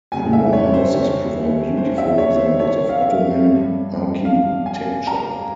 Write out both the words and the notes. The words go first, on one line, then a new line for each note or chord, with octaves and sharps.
Kula houses provide beautiful examples of Ottoman architecture.
F2 C#3 G3 G#5
E5
C#5
C5
C#5
C5
E5
C#5
C5
C#5
F5
E5
G2 G3
F5
G#5
A#5